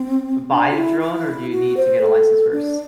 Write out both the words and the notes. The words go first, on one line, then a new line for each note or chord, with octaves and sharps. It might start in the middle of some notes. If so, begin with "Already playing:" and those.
Buy a drone or do you need to get a license first?
Already playing: C4
D4
F#4
E4
E4
F#4
C5
A4
D4